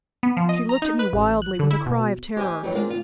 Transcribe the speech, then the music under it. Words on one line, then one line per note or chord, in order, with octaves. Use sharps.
She looked at me wildly, with a cry of terror.
B3
F3
D#5
A#5
D#4
B4
A1
F#6
D3
E4
B2
G4 C5 D#5 G#5
F2 D#3 E3 F#3 G3
G#3 C4 D4 F4 A#4 F5
D2 F4